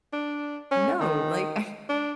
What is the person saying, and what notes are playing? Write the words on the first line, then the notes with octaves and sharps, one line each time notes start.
"No, like, I
D4
C#4
D#3
D4